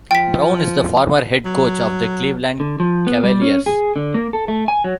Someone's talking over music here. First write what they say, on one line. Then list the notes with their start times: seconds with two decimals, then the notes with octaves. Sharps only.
Brown is the former head coach of the Cleveland Cavaliers.
0.11 F3 G5 B6
1.45 F#3
2.60 D3
2.80 F3
3.07 B3
3.23 G3
3.41 C#4
3.66 G#4
3.96 D3
4.14 A#3
4.33 A4
4.48 A3
4.68 G#5
4.84 F#3